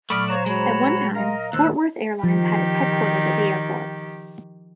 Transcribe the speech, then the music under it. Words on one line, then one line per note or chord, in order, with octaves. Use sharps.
At one time Fort Worth Airlines had its headquarters at the airport.
A#2 F#3 A3 D5 B5 C#6 D#6 F6
C5 C#5 F5 A#5 C#6 F#6 A6 E7
G#3 F#4 C#5 B5
A#4 D#5 F5 A#5
D#2 A3 C5 E6 F#6
D#3 F3 G4